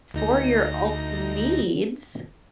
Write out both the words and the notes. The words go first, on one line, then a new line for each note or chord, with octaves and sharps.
for your own needs,
D2 D#4 A#6